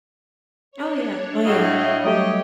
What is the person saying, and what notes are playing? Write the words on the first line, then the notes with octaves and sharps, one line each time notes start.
Oh, yeah, oh, yeah.
D4 C#5
A2 A3 E4 F#4 D#5 F5
F#3 G3 A3 G4 C#5 D#5 G5